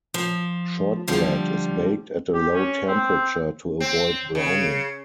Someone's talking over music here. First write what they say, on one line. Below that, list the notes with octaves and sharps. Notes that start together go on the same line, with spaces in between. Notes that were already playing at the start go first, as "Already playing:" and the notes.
Shortbread is baked at a low temperature to avoid browning.
F3
D3 F3 G3
G4
C#4
C4
C4
C#3